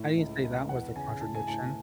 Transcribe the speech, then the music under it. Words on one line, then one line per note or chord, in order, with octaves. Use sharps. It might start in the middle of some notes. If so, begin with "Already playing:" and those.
I didn't say that was the contradiction.
Already playing: A2
C#2
C#2
E2 F#5
C#3 G#5
A2 A5
G#5
A2 A5